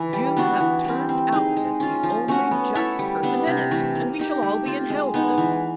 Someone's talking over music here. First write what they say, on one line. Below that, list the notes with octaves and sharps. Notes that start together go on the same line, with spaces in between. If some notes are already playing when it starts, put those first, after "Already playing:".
"You have turned out of it the only just person in it, and we shall all be in hell soon!"
Already playing: E3
G3
B3 D4 F#4
E3
G3 C4
C4
D#4 G#4
G#3
C#4 F4
F3
A3 C#4 F#4
B3
E4 A4 C#5
G3
B3 D4
C3
E3 A3
A#3
D#4 G4
A3
C4 F4
G#3
B3 D#4
E3